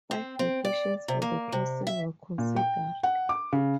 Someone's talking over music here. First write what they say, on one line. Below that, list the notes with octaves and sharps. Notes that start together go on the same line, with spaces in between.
Five locations for the crossing were considered.
C4
C4
D5
C3
A#3
C3
E5
A#2
G5
F#5
D6
C#3